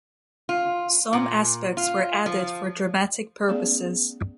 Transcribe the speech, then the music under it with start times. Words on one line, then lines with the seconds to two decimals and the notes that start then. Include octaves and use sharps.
Some aspects were added for dramatic purposes.
0.49 F4
1.13 A#2
1.77 F4
2.26 F3
3.48 A3 B3 C#4 G#4 D5